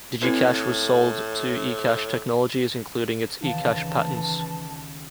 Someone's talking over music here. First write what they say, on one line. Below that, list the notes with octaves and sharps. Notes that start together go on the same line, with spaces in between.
DigiCash was sold to eCash Technologies, including its eCash patents.
A2 C4 E4 B4
C#2 D#3 E3 F5 A5